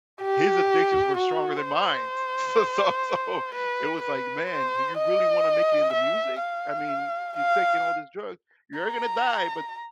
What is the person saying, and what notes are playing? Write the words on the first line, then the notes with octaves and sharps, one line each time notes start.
his addictions were stronger than mine, s so so so, it was, like, man, do you really wanna make it in the music? I mean, you're taking all these drugs, you're gonna die, but
G4
F#4
C5
B4
B4
C5
D#5
E5
F5
F5
A#5